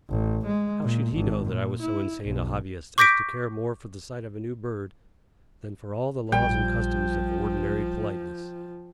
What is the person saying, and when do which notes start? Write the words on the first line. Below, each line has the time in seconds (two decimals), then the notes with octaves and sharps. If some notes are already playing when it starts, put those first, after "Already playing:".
How should he know that I was so insane a hobbyist as to care more for the sight of a new bird than for all the laws and customs of ordinary politeness?
0.10 A1
0.46 G#3
0.83 A#2
1.13 G#1
1.46 A#2
1.82 E4
2.24 B1
2.98 C#6 D6 G6 A#6 B6 D7
6.32 A#1 F3 G3 G5